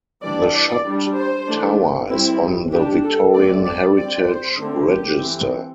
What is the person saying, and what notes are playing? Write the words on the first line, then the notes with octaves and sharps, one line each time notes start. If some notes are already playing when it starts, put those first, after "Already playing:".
The shot tower is on the Victorian Heritage Register.
E3 G3 D4 D5
D5
G3 D4
C5
E3 A3 D4
G3 C4 E4
G3 D4 G4
A4
D3 A3 C4 D5
D5
G3 C4 D5
C5
D3 A3 C4
G4
E3 C4